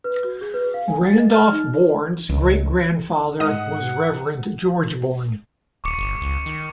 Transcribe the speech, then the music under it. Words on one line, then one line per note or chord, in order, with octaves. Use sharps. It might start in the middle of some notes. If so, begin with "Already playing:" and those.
Randolph Bourne's great-grandfather was Reverend George Bourne.
B4
F#4
G#4
B4
F5
G#5
A6
D#5
F6
D#4
C#2
G#2 D#5 F#5 D#6
D1 C#6 D6 C#7
G1
C#2
D#3